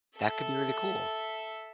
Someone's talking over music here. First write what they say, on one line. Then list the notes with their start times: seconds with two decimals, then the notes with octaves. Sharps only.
that could be really cool.
0.17 A4 E5